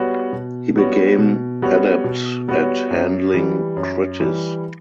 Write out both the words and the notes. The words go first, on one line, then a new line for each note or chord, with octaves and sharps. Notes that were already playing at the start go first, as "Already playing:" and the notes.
He became adept at handling kritis.
Already playing: G3 B3 F#4 C#5
B2
G3 B3 F#4 C#5
B2
G3 B3 F#4 C#5
B2
G3 B3 F#4 C#5
F#2
E3 G3
F#2
E3 G3